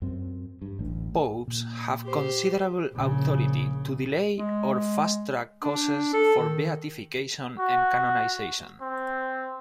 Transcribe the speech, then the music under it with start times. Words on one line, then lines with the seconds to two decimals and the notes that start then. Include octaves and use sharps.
Popes have considerable authority to delay or fast track causes for beatification and canonization.
0.02 F#2 C4
0.62 G2
0.79 A1 D2
1.48 A#2
2.04 G4 C5
2.94 A#1 C#3
4.39 G#3
5.64 D4
6.13 A4
6.39 D#3
7.58 F#4
8.81 C4